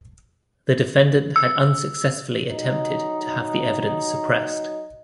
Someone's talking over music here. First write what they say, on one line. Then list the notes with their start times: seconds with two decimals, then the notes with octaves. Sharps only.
The defendant had unsuccessfully attempted to have the evidence suppressed.
1.36 E6
2.47 F#3 D#4